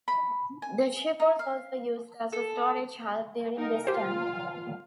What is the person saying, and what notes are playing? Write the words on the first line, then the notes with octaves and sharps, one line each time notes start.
The ship was also used as a storage hulk during this time.
B5
G#5
D#4
F5
A4
D#4 A#4
F4 G4 C5 F5